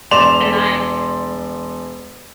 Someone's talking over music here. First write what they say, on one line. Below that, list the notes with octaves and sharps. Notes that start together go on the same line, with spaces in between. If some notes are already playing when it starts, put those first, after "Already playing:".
And I n
E1 D5 C6 E7 F7